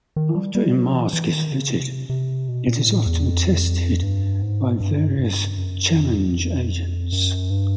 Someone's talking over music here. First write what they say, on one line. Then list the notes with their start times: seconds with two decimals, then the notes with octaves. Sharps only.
After a mask is fitted, it is often tested by various challenge agents.
0.16 D#3
0.35 G3
0.55 G3
0.75 F#3
0.94 E3
1.13 E3
1.32 D#3
1.52 C#3
1.70 C3
2.09 C3
2.48 B2
2.67 A#2
2.87 A2
3.06 E2
3.25 F2
4.03 G2
4.42 G#2
4.80 G2
5.19 G2
5.57 F#2
5.96 F2
7.13 F#2
7.50 G2